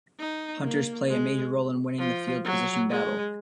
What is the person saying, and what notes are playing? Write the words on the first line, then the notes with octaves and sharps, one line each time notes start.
Punters play a major role in winning the field position battle.
D#4
A#3
G#3
F3
F#3
G#3